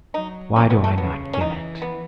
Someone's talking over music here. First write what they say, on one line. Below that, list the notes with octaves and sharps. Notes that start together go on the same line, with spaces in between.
Why do I not give it?
F#3 D#4
E3 C#4
B3
A3
C#3 B3
C#4
E3 D#4
B3